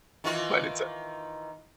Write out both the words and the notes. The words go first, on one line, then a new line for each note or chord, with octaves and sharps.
But it's, uh
D#3 E3 F4